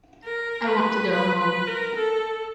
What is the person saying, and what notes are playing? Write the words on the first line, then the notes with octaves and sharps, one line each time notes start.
I want to go home.
A#4
B4
B4
B4
A#4
A4